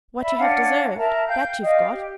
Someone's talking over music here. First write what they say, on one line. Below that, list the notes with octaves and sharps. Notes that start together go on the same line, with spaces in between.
What you have deserved, that you've got.
D5 E5 B5
C#4 D4 F5 F#5
A#4 E5 A5 A#5
F5 G5 G6
D5 D#5 F5 G5
G4